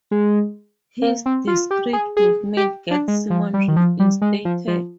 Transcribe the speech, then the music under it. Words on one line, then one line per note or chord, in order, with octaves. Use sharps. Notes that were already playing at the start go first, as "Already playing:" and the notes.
His discreet blackmail gets Simon reinstated.
G#3
A#3
C4
F4
G4
G#4
G#4
G4
D4
G#3
F3
G3
D#3
F3
G3
G#3
F3
F3